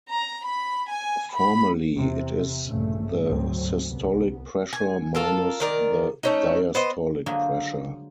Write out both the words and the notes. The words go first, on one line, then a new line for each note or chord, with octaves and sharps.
Formally it is the systolic pressure minus the diastolic pressure.
A#5
B5
G#5
B5
E2 C3
A#1 G2 A#2 C#3 A3
D2 G#2 F#3 C4
C2 B3
G#5
F4 A4 A#4
D#3 A#4 D5
A3 C#4 D#4
B3 C5 D#5
D3 F#3 G#3 A#3 F4 C5